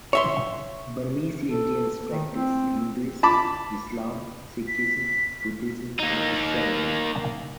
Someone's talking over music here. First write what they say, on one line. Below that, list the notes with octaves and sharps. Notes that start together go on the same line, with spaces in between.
Burmese Indians practise Hinduism, Islam, Sikhism, Buddhism and Christianity.
C#5 E5 C6
A4
D#3
C4
A5 B5 D6
B6
A#3 D#4